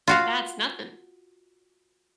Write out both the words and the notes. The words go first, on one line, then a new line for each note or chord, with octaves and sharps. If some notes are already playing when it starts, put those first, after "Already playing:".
That's nothing.
F4 F#4 F5